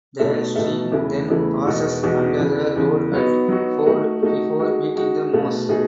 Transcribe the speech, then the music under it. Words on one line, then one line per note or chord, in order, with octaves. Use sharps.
The stream then passes under the road at Ford before meeting The Moss.
B2 A3 D#4 A4 E5
B2 A3 D#4 A4 E5
E2 C#3 E3 A3 E4
E2 C#3 E3 A3 E4
E2 B2 G#3 D#4 F#4
E2 B2 G#3 D#4 F#4
E2 C#3 E3
E2 C#3 E3
F#3 B3 D#4 F#4
F#3 B3 D#4 F#4
A3 D#4 F#4
A3 D#4 F#4
G#3 D#4 F#4
G#3 D#4 F#4
B2 A3 D#4 G#4
B2 A3 D#4 G#4